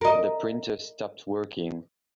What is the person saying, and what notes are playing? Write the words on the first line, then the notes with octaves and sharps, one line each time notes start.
The printer stopped working.
A#4 D#5